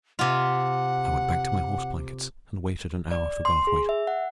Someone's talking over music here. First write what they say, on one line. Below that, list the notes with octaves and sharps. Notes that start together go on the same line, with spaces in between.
I went back to my horse blankets and waited an hour for Garthwaite.
C3 F4 F#5
D5
C6
G#4
E5
F#5